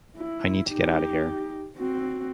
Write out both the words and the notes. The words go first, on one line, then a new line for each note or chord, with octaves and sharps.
I need to get out of here!
E4
D#4 G4
C4 F#4